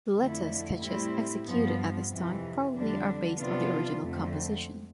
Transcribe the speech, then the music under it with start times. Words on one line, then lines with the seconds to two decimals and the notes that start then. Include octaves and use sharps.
The letter sketches executed at this time probably are based on the original composition.
0.17 F2 D3 A3 E4
0.81 A2 G3 C4 E4
1.45 G2 F3 B3
2.10 F2 C3 E3
2.73 F2 D3 G3 D4
3.38 C3 F3 B3 D4 F4
4.02 F2 D3 A3 C4